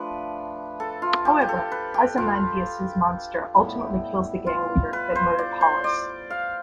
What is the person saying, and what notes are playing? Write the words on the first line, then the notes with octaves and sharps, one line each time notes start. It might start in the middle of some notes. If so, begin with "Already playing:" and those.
However, Ozymandias' monster ultimately kills the gang leader that murdered Hollis.
Already playing: F3 A3 D4 B4
A4
F4
G4
G4
A4
B4
G4
F4
A2 G3 B3 E4
F4
B4
C5
D5
C5
D5
F5